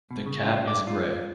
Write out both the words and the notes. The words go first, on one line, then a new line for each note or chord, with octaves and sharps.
The cat is grey.
B2
C#3
F4
D5
F4